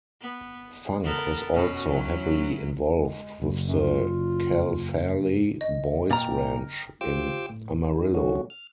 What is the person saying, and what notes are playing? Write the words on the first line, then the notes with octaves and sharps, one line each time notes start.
Funk was also heavily involved with the Cal Farley Boys Ranch in Amarillo.
B3
B3 A4 A#4
B2 C#4 F#4
F#3 C#4 E4
G#3
F#1
F#2
F4
D#5
A#2 A#4 G5 A#5
F4 G4 C5 G5 D6 E6
A2
D#3
B2 D3 F#3 A3 C#4 F#4
F6